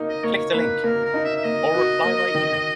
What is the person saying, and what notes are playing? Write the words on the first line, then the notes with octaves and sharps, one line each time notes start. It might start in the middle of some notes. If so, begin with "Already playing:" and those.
Click the link, or reply by email.
Already playing: A#3 D#4
D#5
A#3 C#5
A#3 B4
A#3 A#4
A#4
D#4
E5
E5
A#3 D#5
F#4
A#3
D#3